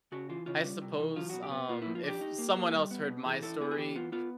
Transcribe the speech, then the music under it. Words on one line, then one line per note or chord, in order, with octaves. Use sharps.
I suppose, um, if someone else heard my story,
C#3 F#4
E3 F4
C#3 F4
G3
C3
E3
F#3 F4
B2 F#4
G4
B3
A#3 F4
F3 E4
F4
D4 G4
D#4
A#3
A#3
G3
B3
B2
E3 G#4
E4 A4
B3 G#4
G#4
E3 G4
B3 F4
B3 F4